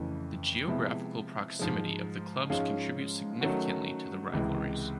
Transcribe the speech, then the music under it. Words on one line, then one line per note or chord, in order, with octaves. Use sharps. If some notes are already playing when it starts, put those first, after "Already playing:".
The geographical proximity of the clubs contributes significantly to the rivalries.
Already playing: F2 C#3 E3 A3
C3 F3 G#3 B3 E4
G#2 F3 G#3
G#2 F3 G#3 C#4 F4
D#3 F#3 A3 C#4 F#4
C#2 C3 E3 G#3